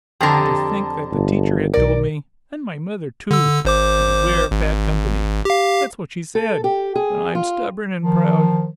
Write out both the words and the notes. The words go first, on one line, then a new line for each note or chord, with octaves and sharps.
And to think that the teacher had told me--and my mother, too!--'Beware of bad company!' That's what she said. But I'm stubborn and proud.
F2 D3 G4 A5 A#5
G1
B1 A#4 D5
D3 E6
G#1 C5 D6
G#1
G4 F5
A4
G4
G#4
F4
D#3 F3